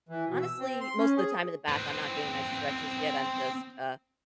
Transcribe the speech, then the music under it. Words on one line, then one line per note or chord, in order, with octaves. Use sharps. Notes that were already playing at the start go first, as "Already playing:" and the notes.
honestly, most the time in the bath, I'm not doing my stretches yet, I'm just, uh,
E3
B2
E6
C4
C6
C#4
G#4
C4 B4